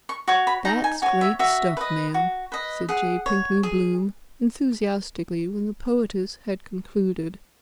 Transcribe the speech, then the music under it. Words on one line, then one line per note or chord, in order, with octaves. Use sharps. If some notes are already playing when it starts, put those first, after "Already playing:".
"That's great stuff, ma'am," said J. Pinkney Bloom, enthusiastically, when the poetess had concluded.
C#6
F#4 C#5 C#6
B5
D#4 A#5
G#5
F#4 C#5 G#5
E5
F#4 E5
B4 D#5
F#4
B4 D#5
G#4 F#5
C#5
G#4